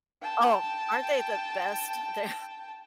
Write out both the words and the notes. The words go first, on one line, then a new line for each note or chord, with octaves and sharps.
Oh, aren't they the best? They're
G5 A5